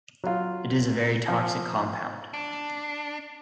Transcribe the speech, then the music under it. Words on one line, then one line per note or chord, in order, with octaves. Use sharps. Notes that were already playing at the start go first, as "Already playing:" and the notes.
It is a very toxic compound.
F#3 F4
F3
D4